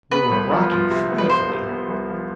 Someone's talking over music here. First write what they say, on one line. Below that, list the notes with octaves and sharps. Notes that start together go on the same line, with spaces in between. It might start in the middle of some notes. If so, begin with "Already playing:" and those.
We were rocking frightfully.
B3 B4
C2
F3
F3
C3
B3
B4
F3 C5
C3
B3
C2
F3